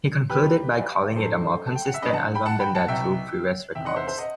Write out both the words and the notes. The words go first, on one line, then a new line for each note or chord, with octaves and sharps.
He concluded by calling it "a more consistent album than their two previous records".
D#2 D#3 F#3 G4 B4
F#2 D#3 F#3 A4 C5
A5
G5
F#5
E5
G2 F#3 B4 D#5
F#5 A5
G5 B5
F#5 A5
G5 B5
F#5 A5
C2 B2 F#3 E5 G5
E2 C3 D#3 E5 G5
D#5 F#5
C5 E5
C5 E5
D#5 F#5